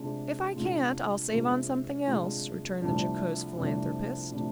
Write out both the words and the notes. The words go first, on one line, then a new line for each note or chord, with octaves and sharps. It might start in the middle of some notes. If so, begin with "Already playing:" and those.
"If I can't, I'll save on something else," returned the jocose philanthropist.
Already playing: C3 G#3 D4 F4
C3 G#3 D4 F4
C3 G#3 D4 F4
C3 G#3 D4 F4
C2 C3 F3 A3 D4
C2 C3 F3 A3 D4
C3 F3 A3 D4